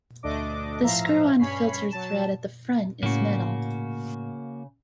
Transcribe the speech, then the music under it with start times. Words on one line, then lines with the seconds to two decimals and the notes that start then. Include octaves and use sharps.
The screw-on filter thread at the front is metal.
0.23 D2 A3 D4 D#5 D6
0.83 A2 F3 E5 F5 A#5
1.39 G2 C#4 C#5 B5 B6 C7
1.90 F#3 A5 E7
3.03 A2 C#3 A#3 F#4